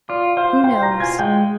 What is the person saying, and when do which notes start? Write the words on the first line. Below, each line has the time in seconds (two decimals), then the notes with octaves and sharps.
"Who knows?"
0.09 F4 D5 D6
0.37 C5 F5 F6
0.64 C5 G5 G6
0.82 A#5 A#6
0.92 F4
1.00 G#5 G#6
1.19 G#3 G5 G6